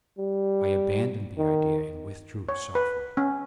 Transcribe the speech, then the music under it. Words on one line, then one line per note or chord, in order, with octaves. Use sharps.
I abandoned the idea and withdrew softly.
G3
D#3
C#5
B4
C#4